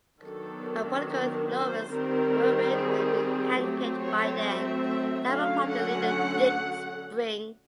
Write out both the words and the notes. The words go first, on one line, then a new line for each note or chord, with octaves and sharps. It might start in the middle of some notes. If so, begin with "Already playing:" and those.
A political novice, Guerin had been hand-picked by then Labour Party leader Dick Spring.
D#3 F#3 B3 D4 A4
A#4
C5
D#3 G3 C4 A#4
G#4
F#3 A3 C4 G4
C#5
E5
D3 F#3 A3 C#4 F5
F#5